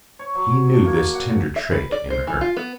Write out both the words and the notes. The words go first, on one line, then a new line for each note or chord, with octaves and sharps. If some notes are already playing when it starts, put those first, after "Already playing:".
He knew this tender trait in her.
C#5
F#3
D4
A#3
F#5
E5
B4
D5
C5
E3
F4
B3